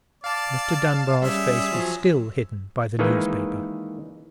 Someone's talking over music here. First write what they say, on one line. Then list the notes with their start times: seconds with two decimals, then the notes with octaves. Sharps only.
Mr. Dunbar's face was still hidden by the newspaper.
0.24 D5 F5 A5
1.22 G3 C#4 G#4 E5
1.72 F3 F#3
2.99 D#3 E3 G#3 A#3 D#4 B4